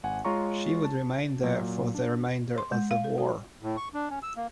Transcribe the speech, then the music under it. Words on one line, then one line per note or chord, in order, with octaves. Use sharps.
She would remain there for the remainder of the war.
G#1 F#5 G#5
G#3 F4 C#5 A#5 C#6
A5
A#2 F#3
D4
C6
G#3
F5
A4
F#4
A2
C#6
D4
C#4
E6
A#3